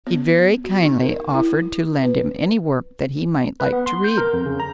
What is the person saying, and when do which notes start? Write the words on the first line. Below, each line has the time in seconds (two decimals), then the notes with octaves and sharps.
He very kindly offered to lend him any work that he might like to read.
0.07 B3
0.64 F#4
0.86 D#4
1.02 A#4
1.34 E4
2.03 B4
3.60 B4
3.73 B3
3.86 C6
4.04 G6
4.18 A#4
4.33 F2
4.46 C#3
4.60 A#5